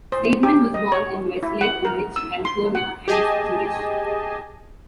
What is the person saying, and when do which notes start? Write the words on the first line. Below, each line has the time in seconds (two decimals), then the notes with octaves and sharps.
Seidman was born in Westlake Village, California, and is Jewish.
0.12 C5
0.43 G4
0.74 D#5
0.92 C#5
1.43 E4
1.61 F#5
1.85 A#4
2.16 E6
2.45 C6
2.75 F#5
3.08 G4 G#4 D#5 G#5 A5